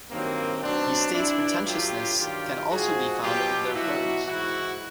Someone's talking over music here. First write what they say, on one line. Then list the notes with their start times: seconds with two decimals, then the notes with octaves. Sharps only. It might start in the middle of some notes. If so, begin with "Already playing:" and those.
He states pretentiousness can also be found in their prose.
0.10 G2 D#3 F#3 A#3 C4
0.62 B2 F#3 C4 D4
1.14 G2 E3 D4 E4
1.67 A2 F#3 F4 G4
2.18 G2 D#3 F#3 F4 G4
2.70 G#2 F3 F#4 G#4
3.22 B2 F#3 F4 G4
3.74 B2 F#3 E4 F#4
4.26 G#2 E3 E4 F#4